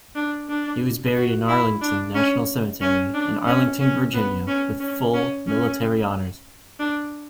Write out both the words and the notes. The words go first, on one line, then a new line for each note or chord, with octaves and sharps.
He was buried in Arlington National Cemetery in Arlington, Virginia, with full military honors.
D4
D4
F#4
E4
D4
C#4
C#4
D4
C#4
C#4
B3
C#4
C#4
C#4
C#4
D4